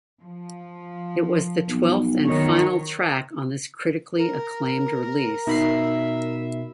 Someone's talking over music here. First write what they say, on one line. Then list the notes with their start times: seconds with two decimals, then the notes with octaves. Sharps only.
It was the twelfth and final track on this critically acclaimed release.
0.20 F3
1.69 B1
2.25 D#3 C#5
4.17 A#4
5.47 B2 D#4 E5 B5 C7